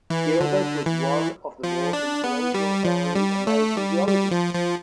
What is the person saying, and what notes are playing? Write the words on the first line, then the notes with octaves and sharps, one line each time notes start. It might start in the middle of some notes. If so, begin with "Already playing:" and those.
Gilbert was one of the more influential early American geologists.
E3
D3
E3
F3
D4
B3
G3
F3
G3
A3
G3
G3
F3
F3